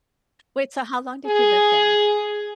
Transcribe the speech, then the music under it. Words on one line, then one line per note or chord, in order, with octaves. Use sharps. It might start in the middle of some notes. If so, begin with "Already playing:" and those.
Wait, so how long did you live there?
G#4